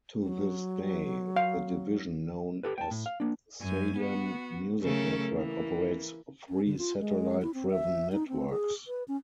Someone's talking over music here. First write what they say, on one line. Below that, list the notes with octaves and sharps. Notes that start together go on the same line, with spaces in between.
To this day, the division known as "Salem Music Network" operates three satellite-driven networks.
F#3
F5
G4 A4 B4
G5 A5
A2
F5
A#3 D4
F#2 G#5
B3 F#4
C#3 F#3 A3 C#4 A4 A#4
E3 A#3
C#4
D3
F4
G#3
E4
C4
E5
D#4
C4
G#4
B4
C#4